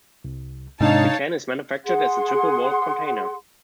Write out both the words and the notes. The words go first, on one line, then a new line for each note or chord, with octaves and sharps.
The can is manufactured as a triple-walled container.
C2
G#2 C3 D4 D#4 C#5 F5 A5
G#4 F#5 C6